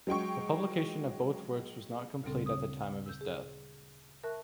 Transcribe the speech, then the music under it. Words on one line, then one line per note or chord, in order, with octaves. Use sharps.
The publication of both works was not complete at the time of his death.
F#3 G#3 G5 C#6
D2 A#2 C#3 G3 C4 A4
D#6
E6 G6
G#4
A#4 E5 A5 C#6 F#6